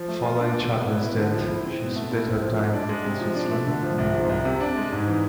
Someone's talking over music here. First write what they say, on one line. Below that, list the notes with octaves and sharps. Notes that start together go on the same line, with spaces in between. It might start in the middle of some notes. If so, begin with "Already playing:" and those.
Following Chaplin's death, she split her time between Switzerland and New York.
Already playing: F3
A3
F4
D4
B2
B3
E4
B3
D3
F3
E4
C4
B2
A3
E4
C4
F3
A3
D4
G#3
C3
F3
D4
A3
D3
F3
C2
F3
C2
C3
D4
G#3
G#2
E3